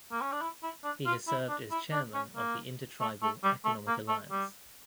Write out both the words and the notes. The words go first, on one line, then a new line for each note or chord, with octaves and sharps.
He has served as Chairman of the Inter Tribal Economic Alliance.
A#3
C#4
D4
E4
E4
D4
F4
E4
D4
E4
D4
C#4
A#3
A3
A3
G3
A3
A#3
A3
G3